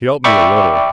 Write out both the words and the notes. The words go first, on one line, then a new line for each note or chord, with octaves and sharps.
He helped me a little.
D5 E5 G5 B5 C#6 D6